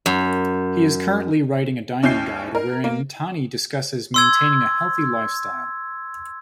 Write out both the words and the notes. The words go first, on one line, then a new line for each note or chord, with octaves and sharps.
He is currently writing a dining guide wherein Tani discusses maintaining a healthy lifestyle.
F#2
D#2 C#4 E4 G6 C7
A#4
A#3
C6 E6 G#6